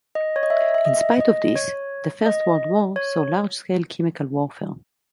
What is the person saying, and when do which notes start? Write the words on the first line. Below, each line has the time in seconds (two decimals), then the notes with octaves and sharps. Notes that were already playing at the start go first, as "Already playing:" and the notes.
In spite of this, the First World War saw large-scale chemical warfare.
0.15 D#5
0.36 C#5
0.43 D#5
0.50 E5
0.74 E5
0.85 D#5
1.20 D#5
1.56 C#5
2.26 D#5
2.96 C#5